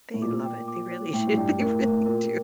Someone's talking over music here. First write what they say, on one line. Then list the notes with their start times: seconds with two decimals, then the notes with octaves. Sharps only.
They love it, they really do they really do,
0.14 A2
0.22 A#2 D6
0.45 G5
0.68 D6
0.91 C#5
1.13 A2 G5
1.27 A2
1.37 G2 G5
1.60 A2 A#4
1.83 A2 A#4
2.06 A#2 A#4